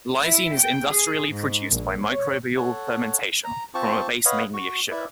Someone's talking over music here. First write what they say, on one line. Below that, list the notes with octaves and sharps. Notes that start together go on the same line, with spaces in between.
Lysine is industrially produced by microbial fermentation, from a base mainly of sugar.
E4
G5
G#4
G#2
A#1
C#5
A4 C#5 F#5
A#5
C4 F4 C5 A5 C#6 D6
B4 C#5 D#5 F5 F#5
F#4 C#6
E4 B4 D5 E5